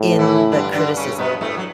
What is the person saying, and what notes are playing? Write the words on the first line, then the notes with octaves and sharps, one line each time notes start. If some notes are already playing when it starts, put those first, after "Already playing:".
...in the criticism.
Already playing: A2
E3 E4
G2 D3 D4
D3 D4
C#3 C#4
B2 B3
A2 A3
F#3